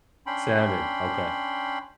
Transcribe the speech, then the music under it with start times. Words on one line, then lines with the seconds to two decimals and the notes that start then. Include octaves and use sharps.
Salmon, okay.
0.26 C#4 D4 G5 B5 C6